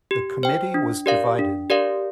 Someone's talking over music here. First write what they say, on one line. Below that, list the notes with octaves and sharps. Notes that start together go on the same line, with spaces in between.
The committee was divided.
G4
C5 G5
D4
G4 A#4 D5 F5
D4
G4 A#4 D5 F5